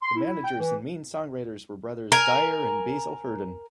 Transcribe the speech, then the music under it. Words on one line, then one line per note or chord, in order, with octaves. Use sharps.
The managers and main songwriters were brothers Dyer and Basil Hurdon.
C6
E4
G5
E3
A#4 G#5